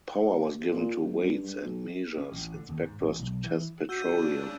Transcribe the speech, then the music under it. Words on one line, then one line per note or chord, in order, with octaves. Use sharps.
Power was given to Weights and Measures inspectors to test petroleum.
A#2
F#1
G2
G2
B1
C#4
A1
D3
D#2
G#2
A1
B1
E3
C#3 D4 F#4 E6 G6 D#7